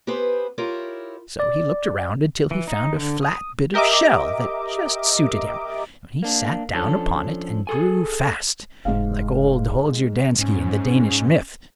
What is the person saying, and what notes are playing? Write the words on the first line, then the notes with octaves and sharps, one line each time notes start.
So he looked around until he found a flat bit of shell that just suited him, when he sat down upon it, and grew fast, like old Holger Danske, in the Danish myth.
B3 G4 G#4 B4 C5
E4 F4 G4 A#4 C#5
D5
E3
D#4
D3
D#6
G4 A#4 D#5 E5 D6
A#3 D4
F3 C#4 D4 A4
G#4 A4 G#5
F1 G#2 G#4 F5
G#2 C#4